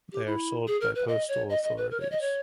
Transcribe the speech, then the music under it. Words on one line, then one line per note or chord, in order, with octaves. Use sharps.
They are sold by postal authorities.
G4
E4
G#4
A#4
B4
D#5
C#5
D#5
D#5
B4
A#4
C#5
D#5
C#5